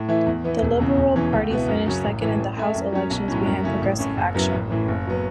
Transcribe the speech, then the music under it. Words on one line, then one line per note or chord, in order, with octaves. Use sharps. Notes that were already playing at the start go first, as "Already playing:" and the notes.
The Liberal Party finished second in the House elections behind Progressive Action.
Already playing: A2
E3 A3 E4
E2
E3 B3 E4
E1
E2 C#3
E1
E2 E3 C#4
C#2
B2 B3 E4
F#2
C#3 F#3 C#4
A1
A2 E3
A1
A2 A3 E4
F#2
F#3 C#4
B1
A2 F#3 C#4
F#2
C#3 A3 C#4 E4
A1
A2 A3 C#4
F#1
F#2 F#3 B3 E4
A1
A2 E3
F#1
F#3 B3